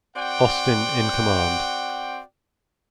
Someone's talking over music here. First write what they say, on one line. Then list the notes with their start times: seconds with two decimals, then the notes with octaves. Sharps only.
Austin in command.
0.16 C4 F#4 D5 F#5 G5